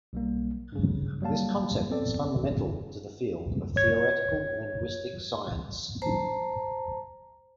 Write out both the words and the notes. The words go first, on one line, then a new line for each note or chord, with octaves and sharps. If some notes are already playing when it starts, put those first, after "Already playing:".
This concept is fundamental to the field of Theoretical Linguistic Science.
B1 G3 A#3
G2 C#3
F#3 G3 A#3 F5 A5
B3 C4 A4 D5
C#5 G#6
C5 A5 A#5